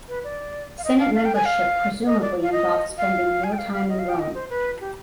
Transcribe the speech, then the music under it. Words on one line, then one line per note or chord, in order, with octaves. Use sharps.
Senate membership presumably involved spending more time in Rome.
B4
D5
F5
D#5
F5
F5
G5
G#5
F5
D#5
D5
F5
D#5
F5
G#5
G5
F5
F5
D#5
F5
G5
D#5
C5
B4
G4